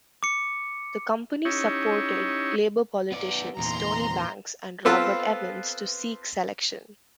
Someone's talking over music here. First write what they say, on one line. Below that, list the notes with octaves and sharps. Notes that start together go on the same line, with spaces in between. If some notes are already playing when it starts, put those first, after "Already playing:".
The company supported Labour politicians Tony Banks and Robert Evans to seek selection.
D6 C#7
C#4 D#4 E4 G4 C#5
B3 D5
E2 A#2 A#5 C6
B3 C4 F4 A4 B4